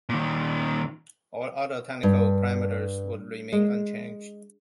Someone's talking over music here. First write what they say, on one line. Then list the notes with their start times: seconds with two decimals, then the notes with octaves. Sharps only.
All other technical parameters would remain unchanged.
0.09 A#2 D#3
2.03 G2
3.52 G#3